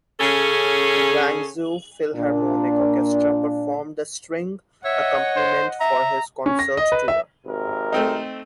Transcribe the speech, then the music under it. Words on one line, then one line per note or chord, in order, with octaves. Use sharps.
The Guangzhou Philharmonic Orchestra performed the string accompaniment for his concert tour.
C#3 C#4 G#4 A4
A#2 D4
C#5 D#5 E5 F#5
C5
E5 A#5
C#4
A#6
D#5
B4
E5
G#1 C3 A#4
A3 C4 D#4